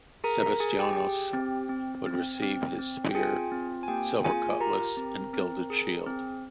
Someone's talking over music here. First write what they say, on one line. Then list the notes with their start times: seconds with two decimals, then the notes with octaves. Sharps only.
Sebestyanos would receive his spear, silver cutlass, and gilded shield.
0.24 G#4 A#4 A#5
0.42 A#4 A#5
0.60 G#4 G#5
0.79 G4 G5
0.96 G4 G5
1.33 C4
1.69 C4
2.06 C4
2.42 C4
2.79 C4
3.11 G5
3.15 F4 G#4 G#5
3.52 C4
3.83 G#5
3.88 A#3 G4 G5
4.24 F4 G#4 G#5
4.60 G4 A#4 A#5
4.97 C4
5.33 C4
5.70 G#4
6.06 C4